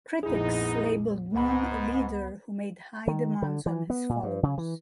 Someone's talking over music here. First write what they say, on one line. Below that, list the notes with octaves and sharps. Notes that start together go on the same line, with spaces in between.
Critics labeled Moon a leader who made high demands on his followers.
A#1 F2 G#2 B3 D#4 E4 G#4
C#2 G#2 B3 F#5 B5
D#3
D3
E3
B3
A#2
G2
C#3
E3